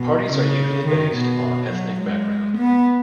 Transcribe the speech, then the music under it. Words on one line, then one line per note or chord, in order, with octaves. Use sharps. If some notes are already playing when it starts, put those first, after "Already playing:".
Parties are usually based on ethnic background.
Already playing: B2
C#3
D#3
B2
F#3
G#3
B3